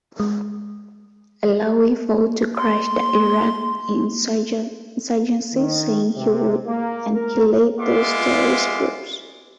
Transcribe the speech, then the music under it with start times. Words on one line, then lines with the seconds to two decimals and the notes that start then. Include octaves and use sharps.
Allawi vowed to crush the Iraqi insurgency, saying he would "annihilate those terrorist groups".
0.20 G#3
2.08 A#3
2.57 C6
5.54 D#3
6.17 C3
6.66 A#3
7.14 A#4
7.78 G#3 B3 F4 E5 C6 D6